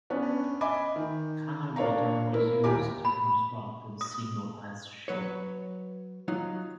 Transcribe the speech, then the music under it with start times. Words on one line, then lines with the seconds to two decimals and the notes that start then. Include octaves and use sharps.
Canal water was used to construct the single ice sheet.
0.10 B3 C#4 D4 B4
0.61 D#5 E5 G#5 B5 D6
0.96 D#3
1.76 D4 A#4 C#5 F5 A#5
2.33 A#3 E4 A#4
2.64 D#2 G4 G#5 A#5 D6
3.05 B5
4.01 D#6
5.08 F#3 B4 C#5
6.28 F#3 D#4 F4